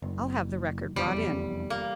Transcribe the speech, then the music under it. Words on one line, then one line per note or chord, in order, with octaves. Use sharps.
"I'll have the record brought in."
F#1
F1 E2 G3
A#3